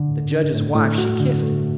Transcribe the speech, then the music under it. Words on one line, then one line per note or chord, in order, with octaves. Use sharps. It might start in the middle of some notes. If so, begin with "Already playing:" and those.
The judge's wife she kissed it.
Already playing: D3
A2
D4
A2
A2
F#4
D3
A3